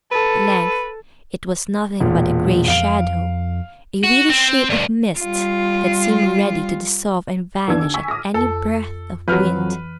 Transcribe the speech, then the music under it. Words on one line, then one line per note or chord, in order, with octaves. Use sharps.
At length it was nothing but a gray shadow, a weary shape of mist that seemed ready to dissolve and vanish at any breath of wind.
A4 B4
E1 A#2
F2 F5 D7 F7
F#4
C4
D2 G2
G3 F4
D#2 E3 B3 D4 E6 G#6
D3
G#5 C#6 E6 B6
D6 D#6 F6 A#6
F2 A4
F2 E3 F#3 B4 F6